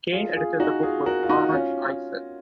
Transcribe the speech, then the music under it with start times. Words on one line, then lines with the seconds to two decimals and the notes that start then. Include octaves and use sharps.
Kane edited the book with Armand Eisen.
0.12 F4 G#4
0.36 F4 G#4
0.60 D#4 F#4
0.83 F4 G#4
1.06 F#4 A#4
1.23 F4
1.29 D#4 F#4
1.53 C#4 F4